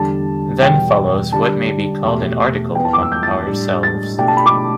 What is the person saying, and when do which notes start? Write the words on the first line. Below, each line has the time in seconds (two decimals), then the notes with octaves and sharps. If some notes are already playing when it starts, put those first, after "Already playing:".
Then follows what may be called an article on "Ourselves".
Already playing: E2 D3 G3 D4 G4 A5
0.62 E2 B2 G3 B3 G5
1.32 D3 G3 D4 G4 A5
2.05 E2 B2 A3 G4 A5
2.75 E2 E3 B3 G5
2.85 A5
2.93 D6
3.02 E6
3.12 G6
3.23 A6
3.47 A2 G3 D4 G4
3.83 A6
4.19 B2 A3 D4 G4 G5
4.28 A5
4.37 B5
4.46 D6